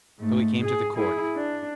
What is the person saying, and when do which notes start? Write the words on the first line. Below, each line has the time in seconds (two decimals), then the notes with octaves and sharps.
So he came to the court ...
0.20 G#2 A3
0.64 G#4
0.96 E4 G#4
1.36 D4